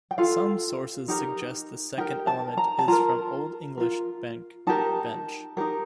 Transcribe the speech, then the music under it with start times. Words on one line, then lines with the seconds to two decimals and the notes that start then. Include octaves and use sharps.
Some sources suggest the second element is from Old English "benc" "bench".
0.11 G5
0.18 F4 A4 F5
1.08 D#4 G4 A#4
1.97 D#4 G4 A#4 G5
2.27 A5
2.57 A#5
2.79 A5
2.88 F4 A#4 A#5
3.78 F4 A#4
4.67 D#4 G4 A#4 A5
5.57 D#4 G4 A#4